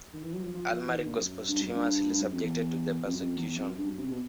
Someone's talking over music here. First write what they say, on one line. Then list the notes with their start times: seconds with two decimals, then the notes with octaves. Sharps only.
Almaric was posthumously subjected to the persecution.
0.13 D#3
0.23 E3
0.33 F#3
0.44 F3
0.54 F3
0.70 F3
0.86 E3
0.97 D#3
1.07 A#2
1.17 F#2
1.49 G2
1.61 F#2
1.75 G2
2.11 G2
2.22 F#2
2.32 F2
2.43 E2
3.05 F2
3.13 F#2
3.20 F2
3.37 E2
3.47 E2
3.58 F2
3.68 F#2
3.79 G2
3.89 F#2
3.99 C3
4.10 B2